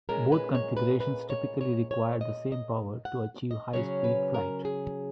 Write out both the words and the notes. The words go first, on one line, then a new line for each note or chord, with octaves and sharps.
Both configurations typically require the same power to achieve high speed flight.
A#2 G#3 C#4 A#4
B4
C#5
B4
B4
C#5
C#5
C#5
D#5
D#5
F#5
D#5
C#3 F#3 C#4 C#5
B4
A#4
G#4